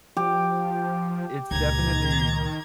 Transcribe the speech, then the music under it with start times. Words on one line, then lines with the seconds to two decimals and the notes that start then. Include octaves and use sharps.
it's definitely
0.17 F3 G4
1.51 C#2 A#2 D#3 A#5 G#6